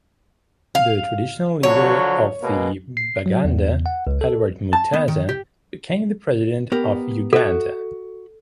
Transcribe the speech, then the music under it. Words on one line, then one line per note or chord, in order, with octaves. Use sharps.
The traditional leader of the Baganda, Edward Mutesa, became president of Uganda.
F5
D3 F3 F#3 C#5
B2 G#3 A#3
C7
F#3
E2
F#5
C#2
A4
A5
B3
D#3
G4
B3 G4 A#4
F#4 A4 E5